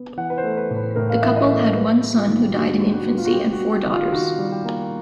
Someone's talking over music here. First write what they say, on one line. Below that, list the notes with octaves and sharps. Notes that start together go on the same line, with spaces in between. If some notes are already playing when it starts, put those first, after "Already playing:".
The couple had one son who died in infancy and four daughters.
Already playing: B3
E3 F#5
B4
C5
A3
B4
A2
B4
A2 A#4
F5
E3 E5
D#5
A3
G3 B4
B3
F4
D#3
G4
D4 F#4
G3
G4
F#4
B3
F4
F#4
G3 G4
F#4
A#3
G4
D#3
F4
D#3 F#4
G3
G4
A#3